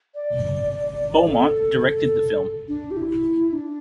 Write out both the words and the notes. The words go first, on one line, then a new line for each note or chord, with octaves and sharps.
Beaumont directed the film.
D5
A4
A4
D4
G4
E4
D4